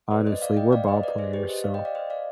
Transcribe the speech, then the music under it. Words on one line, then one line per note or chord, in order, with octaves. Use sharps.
honestly, we're ball players, so,
B4 D5
C5 D#5
D5 F5
D#5 G5
D5 F5
C5 D#5
B4 D5
G#4 C5
G4 B4
C5 D#5
D5 F5
D#5 G5
D5 F5
C5 D#5
D5 F5